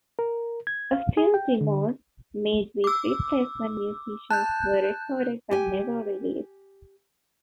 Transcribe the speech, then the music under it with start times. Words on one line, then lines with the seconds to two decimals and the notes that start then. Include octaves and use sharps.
A few demos made with replacement musicians were recorded but never released.
0.19 A#4
0.67 G#6
0.92 F5
1.17 G#4
1.34 G5
1.61 D3
2.84 D6 E6
4.30 A5 F#6 G6
5.51 G4 G#5